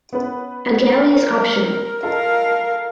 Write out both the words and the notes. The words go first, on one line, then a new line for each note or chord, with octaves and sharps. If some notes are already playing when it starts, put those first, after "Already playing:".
A galley is optional.
B3 C#4 B4
A#4
F4 A4 A#4 D#5 F5